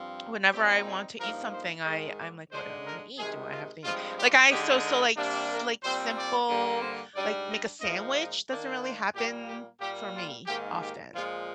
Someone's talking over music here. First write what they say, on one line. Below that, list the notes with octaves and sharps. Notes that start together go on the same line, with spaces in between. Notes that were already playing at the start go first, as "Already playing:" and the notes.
whenever I want to eat something, I I'm like, "What do I wanna eat? Do I have to eat?" Like I So so, like, s like, simple like, make a sandwich doesn't really happen for me often,
Already playing: G2 F3 C4
A#2 G3 C4 D#4 G4
G#4
G2 F3 A#3 D#4 A#4
C5
G#2 D#3 G#3 D#5
D5
D3 G#3 D4 C5
A#4
C3 D#3 G#3 G#4
F4
G2 F3 G#3 C4 F4
G4
D3 G#3 D#4 G4
A#4
C3 G3 A#3 D4
A#4
A#2 G3 C4 C5
D5
G2 D3 G3 A#3
C5
G#2 G3 D4 D5
D#5
A#2 F3 G#3 D#4 D#5
D#5
D#3 A#3 D4 D5
C5
A#2 G3 A#3 G4
G4
A#2 G3 A#3 G4
F4
G#2 D#3 A#3 G4
G4
A#2 F3 G#3 F4